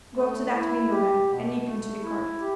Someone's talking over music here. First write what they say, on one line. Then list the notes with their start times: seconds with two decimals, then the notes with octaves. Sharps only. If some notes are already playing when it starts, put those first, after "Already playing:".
Go to that window, then, and leap into the court.'
0.15 A3
0.53 E4
0.89 G4
1.27 B2
1.64 A3
2.01 E4
2.39 G4